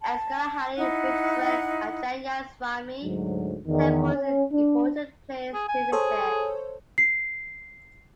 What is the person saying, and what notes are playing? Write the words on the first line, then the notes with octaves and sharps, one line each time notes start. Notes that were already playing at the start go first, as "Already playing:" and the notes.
S. Gollahalli Village Sri Anjaneya Swami temple is an important place to visit.
A5
D#4 E4 F#5 F#6
D2 G#2 F#3
E2 D#3
C#4
D4
G#4
G#5
G#4 A4 C5 C#5
C7